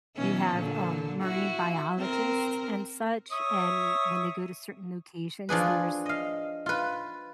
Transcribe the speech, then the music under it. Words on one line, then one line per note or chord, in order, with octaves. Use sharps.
you have a marine biologists and such, and when they go to certain locations, there's
B2 E3 C#4
A#2 D3
E4 F#4
C4 A#4
C#5 E5 D#6
F3 D4 G#4 B4
D#5 F5
F4 B4